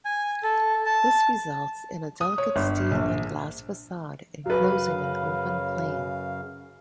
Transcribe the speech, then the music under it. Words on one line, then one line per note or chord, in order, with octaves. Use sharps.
This results in a delicate steel and glass facade enclosing an open plane.
G#5
A4
A5
D#6
C#5
G1
A#1
F#2 C#3 F#3 B4 F5